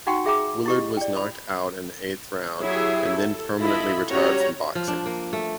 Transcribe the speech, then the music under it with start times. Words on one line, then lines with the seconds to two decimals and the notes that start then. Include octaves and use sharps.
Willard was knocked out in the eighth round, and then permanently retired from boxing.
0.07 D#4 F#4 F#5 G5 C#6
0.26 G#4 E5 G5 A#5 D6
0.66 E4 G4 D#5
0.97 D5 G5
1.17 B5
2.59 F#3 E4 G4 G#4 E5
3.14 A4
3.59 E4 F4 A4 D#5 B5
4.09 G3 C#4 F#4 G4 C#5 A#5
4.75 F3
4.88 D4
5.06 A#3
5.33 A3